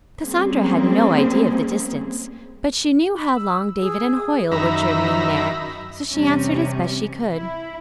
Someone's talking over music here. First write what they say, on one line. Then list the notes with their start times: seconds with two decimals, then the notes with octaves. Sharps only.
Cassandra had no idea of the distance, but she knew how long David and Hoyle were journeying there, so she answered as best she could.
0.20 G3 A#3 C4 C#4 G#4
3.17 B5
3.37 E6
3.80 G#4
4.51 F#2 D#3 E5 A#5 B5
6.12 E2 C3 G3 C#4
7.34 E4